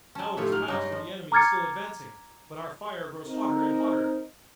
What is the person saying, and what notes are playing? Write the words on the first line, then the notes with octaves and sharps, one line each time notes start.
Now it has passed and the enemy is still advancing, but our fire grows hotter and hotter!
F#3 C#4 A5
A2 F3 D#4 F4 G4 A4 C#5 E5
F#3 F6
G2 G#3 A#3 D#4 C#5 D#5
F3
A#5 D6 F6 G#6 A6 C#7
C4 D#4 A#4